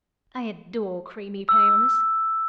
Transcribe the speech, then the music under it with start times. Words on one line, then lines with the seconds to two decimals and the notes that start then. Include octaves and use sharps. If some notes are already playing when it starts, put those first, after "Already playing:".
I adore creamy paleness.
1.49 E6